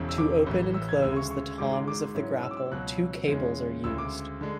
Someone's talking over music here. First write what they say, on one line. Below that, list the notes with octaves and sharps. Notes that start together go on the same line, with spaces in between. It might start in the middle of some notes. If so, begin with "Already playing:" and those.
To open and close the tongs of the grapple, two cables are used.
Already playing: E1 E2 C#3
E6
D6
A1 A2 E3
E6
G#6
D2 C#3 G#3 E6
C#6
C#6
G#1 G#2 G#3 D6
D6
D6
G#2 F#3 C#4 E4
E6
D6
E6
C#2 B2 F#3 F#6
E2 C#3 G#3 C#4
D2 C#3 G#3 E6
D6
D3 G#3 D4